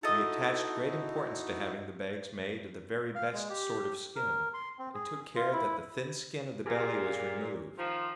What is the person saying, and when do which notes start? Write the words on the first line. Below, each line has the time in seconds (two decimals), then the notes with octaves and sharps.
We attached great importance to having the bags made of the very best sort of skin, and took care that the thin skin of the belly was removed.
0.03 D#4 E4 F#4 A4 D#5
3.15 F5
3.33 G#3
3.50 G4
4.16 A#4
4.54 C6
4.78 C4
4.94 G#4
5.36 F4
5.53 E4
6.66 A#2 G4 G#4 A#4
7.76 D#3 F3